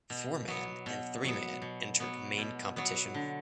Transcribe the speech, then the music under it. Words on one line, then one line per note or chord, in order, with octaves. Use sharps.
Four man and three man entered main competition.
B2
F#3 B3
B2
F#3 B3
B2
F#3 B3
B2
F#3 B3
D3